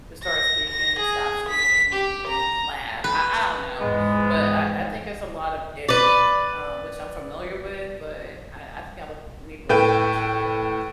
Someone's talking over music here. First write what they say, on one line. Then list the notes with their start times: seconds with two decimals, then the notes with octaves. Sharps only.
to start speaking and stop speaking in lab. I I don't know. But I I think there's a lot of editing, uh, which I'm familiar with, but I I think I look need to look more into it.
0.23 A#6
0.68 A#6
0.99 G#4
1.49 B6
1.93 G4
2.27 A#5
3.04 B4
3.80 E2 G#2 F3 G#3 B3
5.89 B4 D5
9.69 A2 B4 G5